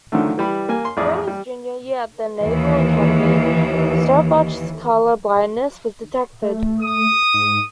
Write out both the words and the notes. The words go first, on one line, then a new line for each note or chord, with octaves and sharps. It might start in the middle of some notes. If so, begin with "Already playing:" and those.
During his junior year at the Naval Academy, Staubach's color-blindness was detected.
D3 D#3 F3 F#3 A3
E3 G3 B5
A#3 G#5
C6
A1 F2 G#4 D5
G3
D#2 E3
A3
D#6
G#2